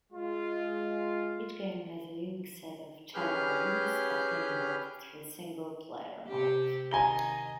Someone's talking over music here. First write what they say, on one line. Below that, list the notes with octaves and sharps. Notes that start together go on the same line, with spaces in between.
Each game has a unique set of Charaboms obtainable through single player mode.
G#3 F4
C#4 G4 G#4 B4 F6 G6
C3 G4
D#3 D#5 G#5 A#5 G7